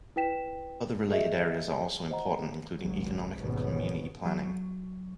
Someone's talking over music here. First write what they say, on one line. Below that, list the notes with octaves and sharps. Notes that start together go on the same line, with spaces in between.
Other related areas are also important, including economic and community planning.
E4 B4 G5 B6 E7
G#4 D#5 E5
C5 D#5 F#5 A#5
G#1 C#2 G#2 F#3
G#1 D#2 G#2 B2 B3 C#4
F#3